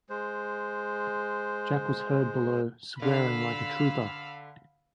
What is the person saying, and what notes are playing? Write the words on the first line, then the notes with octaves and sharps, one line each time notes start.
Jack was heard below, swearing like a trooper.
G#3 C5
D3 F5 B5 E6